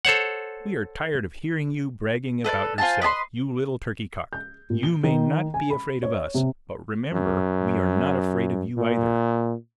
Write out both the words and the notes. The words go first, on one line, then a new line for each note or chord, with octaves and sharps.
We are tired of hearing you bragging about yourself, you little turkey cock! You may not be afraid of us, but remember we are not afraid of you, either!
A4 C5 C#5 F#5
A4 B4 C5 D5
F4 C5 G#5 A5
B4 D#5 A5 C6
G6
A#2
G7
D#3
G#5
B5
C#5
C3
F#2
A#2